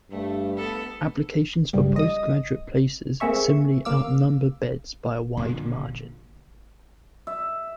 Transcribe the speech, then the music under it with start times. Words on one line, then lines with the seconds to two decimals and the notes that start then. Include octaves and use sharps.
Applications for postgraduate places similarly outnumber beds by a wide margin.
0.11 G2 A3
0.56 B3 A4
1.73 B1 G2 C#3 G3
1.96 D#5 D#6
3.20 A3 A#3 C4 G#4 E5 C#6
3.85 A#1 A#3 F5 D6 E6
5.37 A#2 D3 F3
7.27 E5